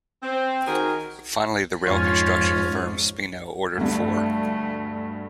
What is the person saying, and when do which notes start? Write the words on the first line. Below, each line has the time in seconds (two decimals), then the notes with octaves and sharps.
Finally, the rail construction firm Speno ordered four.
0.23 C4
0.66 D#3 F#4 G#4 A#4
1.86 F2 G#2 C#4 F4
3.77 D2 G2 A3